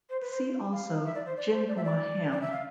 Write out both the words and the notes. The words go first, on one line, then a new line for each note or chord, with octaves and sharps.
"See also Jinhua ham".
C5
B4
C5
F5
E5
D5
C5
D5
C5
D5
E5
D5
D5
E5
F5